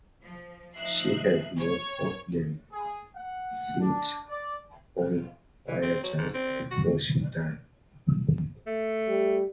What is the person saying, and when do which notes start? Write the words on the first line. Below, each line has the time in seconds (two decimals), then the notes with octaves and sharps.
She had most of them set on fire just before she died.
0.23 F3
0.75 F3 D#4 E5 F#6 C7
1.58 C#5
2.71 G#4
3.16 F#5
3.81 D4
4.29 D5
5.68 E3
5.83 C4
6.04 F#3
6.18 G#2
6.34 C4
6.71 F#4
8.67 A3
9.08 G3